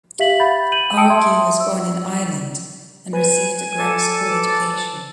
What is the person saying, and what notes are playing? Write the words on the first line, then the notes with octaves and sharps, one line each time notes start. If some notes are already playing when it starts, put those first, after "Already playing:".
Argue was born in Ireland, and received a grammar school education.
G4 E5 F5 B6 F#7
F#5 B5 G6 A6
G6 D#7 F#7
G5 A5 D#6 E6 C#7 D7
E5 C6 G#6
E6
B4 G#5
A4 D5 A5